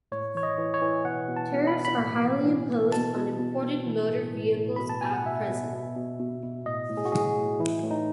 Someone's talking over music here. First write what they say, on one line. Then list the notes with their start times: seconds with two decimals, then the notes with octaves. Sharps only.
Tariffs are highly imposed on imported motor vehicles at present.
0.12 A2 C#5
0.35 E3 C#5
0.43 D#5
0.58 E3
0.74 C#5
0.82 E3
1.05 B2 F#5
1.28 B2
1.37 A5
1.52 B2
1.67 B5
1.76 B2
1.85 B5
1.99 A2
2.23 E3
2.46 E3
2.69 E3
2.92 B2 A5
3.16 B2
3.39 B2
3.62 B2
3.86 E3
4.09 A2
4.33 A2
4.56 A2
4.76 B2 B5
4.89 A5
5.01 B2 G#5
5.13 F#5
5.26 B2 E5
5.50 B2
5.73 B2
5.96 B2
6.20 B2
6.43 B2
6.66 A2 D#5
6.89 A2
6.97 G#4
7.05 F#4
7.12 A2 G#4
7.36 A2
7.60 E3 E4
7.83 A2
7.91 D#4